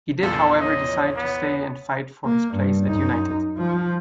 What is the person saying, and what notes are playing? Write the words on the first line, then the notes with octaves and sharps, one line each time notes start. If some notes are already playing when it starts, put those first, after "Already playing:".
He did however decide to stay and fight for his place at United.
A#1 E2 F4 A4
C#5 D#5
B3
A#3
G2
F#2 D#4
F3